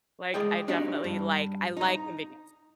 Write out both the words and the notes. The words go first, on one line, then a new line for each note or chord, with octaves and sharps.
Like I definitely like, I like convenience.
G#3 G#4 D5 G5
D4 D#4 F#4 G4 D5
G2
D#4 A#5